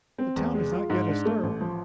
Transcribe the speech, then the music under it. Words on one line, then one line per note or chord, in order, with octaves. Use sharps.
"The town is not yet astir."
C4
E2
G#3
F4
G#2
D4
A3
A1
F3